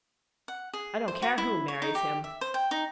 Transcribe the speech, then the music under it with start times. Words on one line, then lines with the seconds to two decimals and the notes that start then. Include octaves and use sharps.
I don't care who marries him.
0.48 F#5
0.73 G#4
1.08 C5
1.22 F#4
1.38 E4
1.68 C#5
1.82 D#4
1.95 G4
2.24 E5
2.41 C5
2.54 G5
2.71 D#4